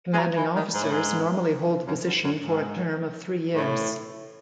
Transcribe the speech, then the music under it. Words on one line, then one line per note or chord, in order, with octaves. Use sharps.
Commanding Officers normally hold the position for a term of three years.
G#3
F#3
E3
D#3
G#2
A2
G#2
F#2
F#2
F#2
G#2
A2